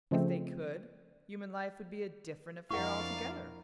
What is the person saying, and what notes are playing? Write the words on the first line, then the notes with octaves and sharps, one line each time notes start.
If they could, human life would be a different affair altogether.
C#3 F3 G#3 A3 C4
F2 D4 E4 A#4 F5 F#5 C#6